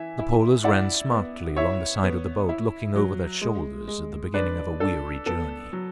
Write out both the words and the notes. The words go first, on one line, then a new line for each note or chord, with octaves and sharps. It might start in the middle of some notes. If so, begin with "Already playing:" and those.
The polers ran smartly along the sides of the boat, looking over their shoulders at the beginning of a weary journey.
Already playing: E3 E5 G#5
E4
E4 D5 F#5
B3
E4 C#5 E5
B3
E4
F#3
G#3
G#3
D4 B4 D5
D4 A4
B3 A4
F#3